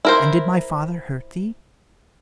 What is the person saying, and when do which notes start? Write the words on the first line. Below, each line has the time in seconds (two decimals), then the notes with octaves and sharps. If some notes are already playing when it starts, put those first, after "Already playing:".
"And did my father hurt thee?"
0.05 E4 A#4 C5